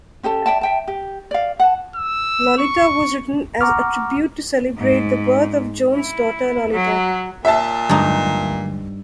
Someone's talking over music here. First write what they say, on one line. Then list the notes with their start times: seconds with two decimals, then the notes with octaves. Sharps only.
"Lolita" was written as a tribute to celebrate the birth of Jones' daughter Lolita.
0.23 C#4 G4 A4 A5
0.46 D5 E5 G5 A5
0.61 E5 G5 A5
0.88 G4
1.31 D5 F5
1.60 F#5 A5
1.96 E6
2.58 C#6
3.61 F#5 A#5 C#6 D6 F6
4.78 G#2
5.94 E4
6.71 F#3
7.45 A#2 C#5 E5 A5
7.89 G2 D3 F#3 G#3 D#4